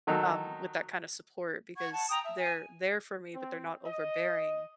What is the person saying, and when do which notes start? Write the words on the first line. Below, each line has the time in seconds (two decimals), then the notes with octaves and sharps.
um, with that kinda support because they're there for me, but they're not overbearing,
0.07 D#3 F#3 D#4 A4
1.77 F#5 C#6 G#6
1.92 F#5 A5
2.10 G5 A#5 D#6
2.23 E5
2.39 G#5
3.34 C4
3.85 D#5